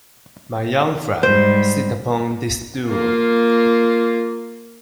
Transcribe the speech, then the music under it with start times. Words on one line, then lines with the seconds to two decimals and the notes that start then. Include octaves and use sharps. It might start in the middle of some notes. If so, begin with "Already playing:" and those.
My young friend, sit upon this stool.
1.23 G#2 G3 C5
2.88 A#3 F4